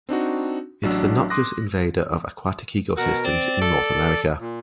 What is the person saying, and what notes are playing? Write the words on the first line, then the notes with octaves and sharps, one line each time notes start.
It is a noxious invader of aquatic ecosystems in North America.
C4 D4 D#4 F#4
A1 F#3 D4 E6
C6 D6 D#6 F#6 A#6
B2 F#4 A#4
C4 D5
A4
A#2